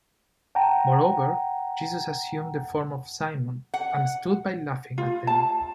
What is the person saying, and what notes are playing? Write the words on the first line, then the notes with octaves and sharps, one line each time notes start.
Moreover, Jesus assumed the form of Simon, and stood by laughing at them.
F#5 G5 A5 A#5
F#5
F4
A5